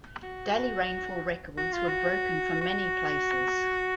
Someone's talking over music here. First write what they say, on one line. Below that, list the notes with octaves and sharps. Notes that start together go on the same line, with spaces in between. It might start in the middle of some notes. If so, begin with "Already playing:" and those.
Daily rainfall records were broken for many places.
F#4
F#4
F4
F#4
F#4